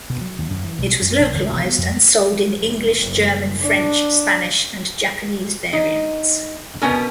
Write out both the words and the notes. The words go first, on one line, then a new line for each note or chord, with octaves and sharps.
It was localized and sold in English, German, French, Spanish and Japanese variants.
B2
F#3
D#2
F#2
E3
B1
F#2
A#1
C#2
E1
B3
F2
F1
F#1
D4
D#4
B2 B3 C#4 A#4